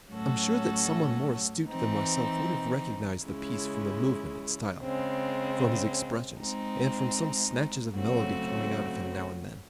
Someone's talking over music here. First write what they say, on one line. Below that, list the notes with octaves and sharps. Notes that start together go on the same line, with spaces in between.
I'm sure that someone more astute than myself would have recognized the piece from the movement and style, from his expressions, and from some snatches of melody coming out of him now and then.
A2 F#3 C#4 F#4 A4
E3 C4 D#4
C#3 G#3 C#4 E4
C#3 G#3 C4
G#3 C4 D#4
C#3 F#3 A3 C4 F#4